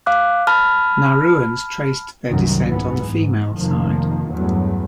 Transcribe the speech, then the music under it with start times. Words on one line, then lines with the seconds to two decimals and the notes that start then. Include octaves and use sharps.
Nauruans traced their descent on the female side.
0.06 F5 D6 F#6
0.47 A5 B5 F6
2.30 C2 F#2 A2 D#3 F#3
2.64 G#2 E3 B3
3.07 G#2
3.57 F1 D#3 F3 A#3
4.31 E2 G2 F#3 A3